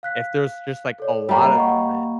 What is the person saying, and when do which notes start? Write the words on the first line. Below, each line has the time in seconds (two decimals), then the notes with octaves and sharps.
if there's just, like, a lot of them, and
0.03 F5 F#6 B6
1.00 A4 C#5 D5
1.29 G3 A#3
1.56 D#5 F#5 C#6